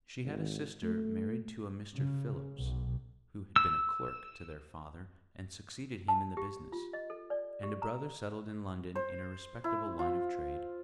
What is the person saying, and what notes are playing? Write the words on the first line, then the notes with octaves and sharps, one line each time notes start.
She had a sister married to a Mr. Phillips, who had been a clerk to their father and succeeded him in the business, and a brother settled in London in a respectable line of trade.
G#1
A3
C#3
B1
E6
A5
G4
F4
D#5
A4
D5
G4
A#5
C5
E4
F4